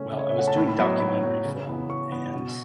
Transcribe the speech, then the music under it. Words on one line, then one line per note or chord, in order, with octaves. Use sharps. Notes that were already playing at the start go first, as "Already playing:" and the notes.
Well, I was doing documentary film and,
Already playing: C#3 A3 C#4
C#3
C#5
E5
A3 C#4 F#5
A5
A2 B5
B5
F#3 B3 B5
B5
A2 B5
F#3 B3
C#3
E3 B3
C#3 C#6
E3 B3
B2